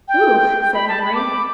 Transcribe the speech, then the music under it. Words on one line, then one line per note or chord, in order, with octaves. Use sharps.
"Whew!" said Henry.
G5
G5
B5
A5
B5
D6